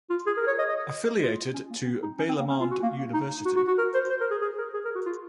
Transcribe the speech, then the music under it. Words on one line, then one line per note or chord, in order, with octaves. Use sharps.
Affiliated to Balamand University.
F4
G#4
A#4
C#5
D#5
D#5
F4
C#4
A#3
C4
D#4
C#4
C4
A#3
C#4
F4
F#4
A#3
D#4
F#4
F#4
F#4
A#4
C5
C5
A#4
G#4
G#4
A#4
G#4
A#4
F#4
F4